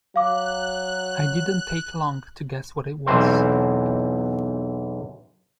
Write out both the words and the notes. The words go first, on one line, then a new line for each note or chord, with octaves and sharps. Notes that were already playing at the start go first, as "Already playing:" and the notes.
I didn’t take long to guess what it was.
F#3 F5 D6 F#6
B1 E2 E3 C4 C5